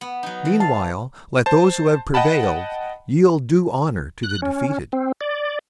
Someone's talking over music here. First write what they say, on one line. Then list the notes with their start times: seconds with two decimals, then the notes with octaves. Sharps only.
Meanwhile let those who have prevailed yield due honor to the defeated.
0.01 B3
0.23 F#3 D#4
0.45 E3
0.60 F5 A5
1.46 C5 A5
2.14 D#5 F#5 G5 A5 B5
4.23 F#6
4.42 C#4
4.93 C4
5.21 D5